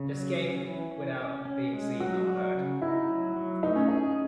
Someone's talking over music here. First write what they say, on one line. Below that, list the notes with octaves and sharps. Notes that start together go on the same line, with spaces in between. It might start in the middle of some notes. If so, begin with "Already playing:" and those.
They scape without being seen nor heard.
Already playing: C#3
F#3
C#4
E3
C#4
C#4
C#4
G#3
F#3 F#4
F#3
C#3
D#4 E4
F#3
F#3
A3 D#4
C#4
D#4 G#4